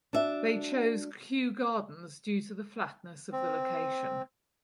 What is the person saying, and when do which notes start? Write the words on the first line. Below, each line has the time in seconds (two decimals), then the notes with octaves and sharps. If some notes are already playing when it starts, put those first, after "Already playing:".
They chose Kew Gardens due to the flatness of the location.
0.13 D4 F#4 E5
3.32 C4